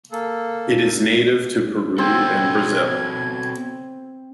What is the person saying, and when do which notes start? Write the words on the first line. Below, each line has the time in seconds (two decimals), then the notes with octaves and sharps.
It is native to Peru and Brazil.
0.12 A#3 A4
1.98 B3 C4 F#4 A4 G#6